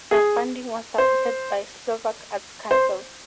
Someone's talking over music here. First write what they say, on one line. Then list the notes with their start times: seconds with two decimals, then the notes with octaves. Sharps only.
The funding was supported by Slovak Arts Council.
0.11 G#4
0.98 C5
2.71 C5